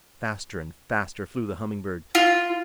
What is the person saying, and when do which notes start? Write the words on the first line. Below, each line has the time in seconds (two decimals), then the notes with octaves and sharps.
Faster and faster flew the Humming-Bird.
2.15 F4